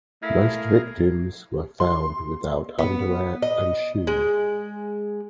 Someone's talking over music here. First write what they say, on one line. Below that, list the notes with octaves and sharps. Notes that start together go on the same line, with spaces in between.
Most victims were found without underwear and shoes.
A3 E4 G#4 A#4 F5
C6
B3
D#5
G#3